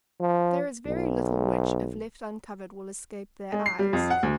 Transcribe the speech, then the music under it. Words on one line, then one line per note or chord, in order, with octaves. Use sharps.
There is very little which, if left uncovered, will escape their eyes.
F3
B1
G#3
C7
G3
F2
F#5
D2